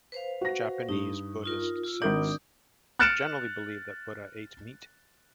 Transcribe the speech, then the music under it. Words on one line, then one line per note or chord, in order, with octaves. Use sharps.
Japanese Buddhist sects generally believe that Buddha ate meat.
B4 C5 F5
F#4 A#6
G2 D#4
D#4 F4 A#4
F4 E6
G#1 D4 A#4 D5 D#6 G6
F6 F#6 A6 C#7 D7 E7